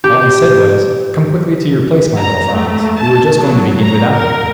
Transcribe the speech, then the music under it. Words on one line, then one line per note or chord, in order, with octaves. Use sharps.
All he said was, "Come quickly to your place, my little Franz; we were just going to begin without you!"
G4
A#5
A3
A5
F#3
A#5
A#4